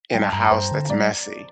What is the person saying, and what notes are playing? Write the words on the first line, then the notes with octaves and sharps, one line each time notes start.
in a house that's messy,
G3 G5
A5
G2 A#5
A#5
G2 C5
D3
G3 D5